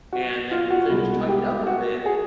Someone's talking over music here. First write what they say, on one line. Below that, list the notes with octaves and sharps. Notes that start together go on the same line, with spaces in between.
and then when things tighten up a bit,
F#4
F4
F#4
C2 B2 G#3 B3
G4
F#4
G#4